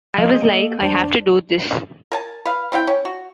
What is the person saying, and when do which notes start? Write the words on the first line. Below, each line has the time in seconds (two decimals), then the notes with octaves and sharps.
I was like, 'I have to do this.
0.18 F3 D#5 F5
0.33 C4 G#4 C5
0.44 A#3 A4
0.81 E2 D4 C5 A5
2.12 A#4 G#5 A5
2.45 B4 F5
2.72 C4 E4 F5 G5
2.87 C#4
3.05 F#4